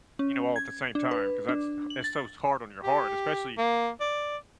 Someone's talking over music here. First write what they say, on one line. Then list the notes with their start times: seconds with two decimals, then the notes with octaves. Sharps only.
you know, all at the same time 'cause that's, it's so hard on your heart, especially,
0.19 C#4
0.56 G#6
0.95 D4
1.11 B4
1.49 D4
1.90 F#7
2.04 A6
2.83 G4
3.58 A#3
4.00 D5